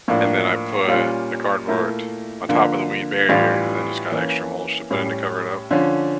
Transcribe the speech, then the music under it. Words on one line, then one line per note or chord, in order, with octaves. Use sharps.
and then I put the cardboard on top of the weed barrier and then just got extra mulch to put in to cover it up
A2 F3 A#3 D4
A#2 G3 C#4 F4
A#2 A3 E4 A#4
D3 F3 A#3
A2 E3 G3 D4 F4
E3 A#3 C#4
A2 G3 C#4
D3 F3 C#4